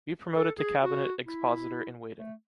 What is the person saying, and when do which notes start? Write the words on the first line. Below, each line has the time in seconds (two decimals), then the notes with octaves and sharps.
Be promoted to cabinet expositor-in-waiting.
0.36 A4
0.58 G#4
0.81 F#4
1.26 E4
2.17 A3